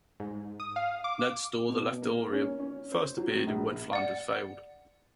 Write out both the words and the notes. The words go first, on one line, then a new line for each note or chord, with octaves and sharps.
Ned's store "The Leftorium" first appeared in "When Flanders Failed".
G#2
D#6
F5
D6
B2
A#3
C#4
C#4
C5
F#3
A2
A#1
D5 F#5